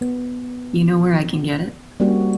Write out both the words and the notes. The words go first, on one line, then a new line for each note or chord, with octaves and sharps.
You know where I can get it?
B3
G3 A#3 C4 C#4 F#4